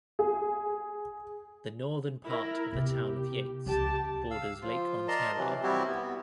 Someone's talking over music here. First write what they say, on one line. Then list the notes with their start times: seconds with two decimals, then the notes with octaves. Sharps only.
The northern part of the Town of Yates borders Lake Ontario.
0.19 G#4
2.26 E4 A#4
2.73 C3 B3 G4
3.66 C#2 G4 A5
4.31 F5 E6
4.62 F3 F4
5.08 A#4 D5 D#5 A5 A#5 C6
5.37 C3 E3 F#3
5.63 G3 C4 E4 F#4 G4
5.87 B3